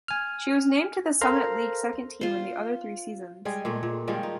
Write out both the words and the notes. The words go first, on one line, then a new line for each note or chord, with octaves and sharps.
She was named to the Summit League Second Team in the other three seasons.
G#5 F6
A4 A#4 C5 F5 A#5 C6
F4 C5
G3 G#3 G#4
A#2 G#3 A3
A#2
D#3 F3 G3 G#3
D#4